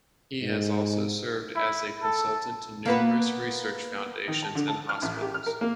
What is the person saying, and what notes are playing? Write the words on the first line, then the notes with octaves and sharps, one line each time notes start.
He has also served as a consultant to numerous research foundations and hospitals.
G#2
E4
A4
A#3 B3 B4
D#3
A5
D3
A5
F6
A1
G4
F6
A#4
A#3